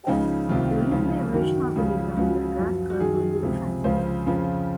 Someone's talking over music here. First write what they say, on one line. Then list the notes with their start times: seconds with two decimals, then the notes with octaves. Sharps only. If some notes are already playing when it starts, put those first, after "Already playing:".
During the evolution of the design the drag curve will be refined.
0.07 C#2 C#3 F3 D#4
0.49 C2 C3 D#3 F4
0.91 C#2 C#3 F3
1.33 F#2 D#3 F#4
1.75 C#2 C#3 F3
2.16 C#2 C#3 F3 F#4
2.58 F#2 F3
2.90 F#4
3.00 F#2 D#3 G#4
3.42 C#2 C3 F3
3.84 C#2 C#3 F3 C5
4.26 F2 C#3 F3